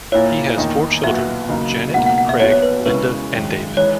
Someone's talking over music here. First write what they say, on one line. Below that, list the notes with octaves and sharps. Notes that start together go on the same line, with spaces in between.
He has four children: Janet, Craig, Linda, and David.
A#2 A#3 E4 C#5
E2 D#3 A#3 D#4
B1 A#2 F#3 B3 F#4 E5
C#3 F#3 A#3 D#4
C#2 B2 A#3 D#4 F#5
F#5
F#5
E5
B1 B2 F#3 B3 F#4 C#5
C#5
B4
C#3 G#3 C#4 E4 A#4 B4
G#1 F#2 D#3 G#3
E3 G#3 D#4 C#5